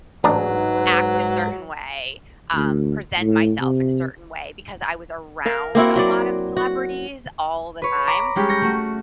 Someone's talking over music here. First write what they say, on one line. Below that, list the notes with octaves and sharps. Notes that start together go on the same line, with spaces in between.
act a certain way, um, present myself in a certain way, because I was around a lot of celebrities all the time,
A1 G#2 F#3 D4 B4 A#5
D2
A2
C3
A#4 F5
A#3 C4 E4 F#4
F#3 F#4 D5
F#4
B4 C#5
A#5 B5 D6
G3 G#3 C#4 G4
G6 A#6 C#7
A3 F#4